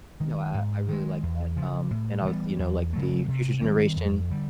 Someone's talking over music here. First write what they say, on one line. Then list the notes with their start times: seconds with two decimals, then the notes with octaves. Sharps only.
No, I I I really like that, um, and obviously, you know, like the future generation,
0.20 D#3 G#3
0.54 G#2
0.89 D#3 G#3
1.23 E2
1.56 C#3 F3
1.91 A2
2.25 E3 G3 B3
2.59 E2
2.93 C#3 F#3 A3
3.28 C3
3.62 D#3 G3 C4
3.96 F2
4.30 D3 G3